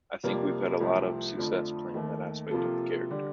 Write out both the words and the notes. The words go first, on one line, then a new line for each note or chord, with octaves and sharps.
I think we've had a lot of success playing that aspect of the character.
F2 C3 G3 A#3 F4
C2 C3 F3 A3 C4
F2 D3 F3 A3
D#2 D#3 A3
C3 F3 A#3 F4 A4
D3 G3